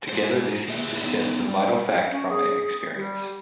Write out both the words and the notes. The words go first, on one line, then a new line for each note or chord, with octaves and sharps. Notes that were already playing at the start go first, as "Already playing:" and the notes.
Together they seemed to sift the vital fact from an experience.
G#3 C5
G4 G#4 B4 E5
A3 B3 C#4 D#4 G4
G3
C#4
G#4
G3